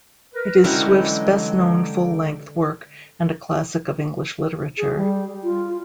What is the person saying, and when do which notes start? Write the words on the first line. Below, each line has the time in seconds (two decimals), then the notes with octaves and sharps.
It is Swift's best known full-length work, and a classic of English literature.
0.34 A#4 B4
0.64 D3 E3 F#3 G#3 C#4 E4 F#4 G5
4.78 G#4
4.96 G3
5.44 F4